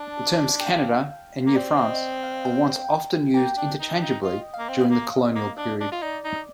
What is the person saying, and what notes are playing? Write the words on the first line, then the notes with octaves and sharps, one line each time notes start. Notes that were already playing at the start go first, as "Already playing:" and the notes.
The terms "Canada" and "New France" were often used interchangeably during the colonial period.
Already playing: D4 A5
G5
F5
A#3
C4 D5
D#5
F5
G5
A#3 G5
D4
D#4
D4
D#4
F4 D#5
F5
A#3
C4
F5
A#3
D#5
A#3
D4
D4
F4
D#4 D5
D#4